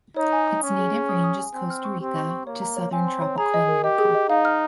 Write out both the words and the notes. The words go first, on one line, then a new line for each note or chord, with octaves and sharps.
Its native range is Costa Rica to Southern Tropical America.
D#4 C#5
G#5
D#6
C#4 G#5
G#4
G#4
D#6
D#6
G#5
C4 G#5
F6
C#6
C4 G4
C#6
C#6
A#3 C#5
A#5
C#5
C4 G#5
C6
C#5
G#4 A#5
D#5
A#4
G4 D#5
G#4
D#5
D#4 F5
F6